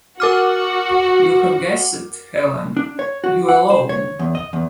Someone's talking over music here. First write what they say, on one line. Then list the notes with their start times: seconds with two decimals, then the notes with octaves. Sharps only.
You have guessed it, Helene — you alone.
0.20 F#4 A#4 D6 F6
2.77 D4
2.99 C#5
3.24 F#4
3.48 F#5
3.70 C5
3.89 C#5
4.19 E2
4.35 D#5
4.53 E2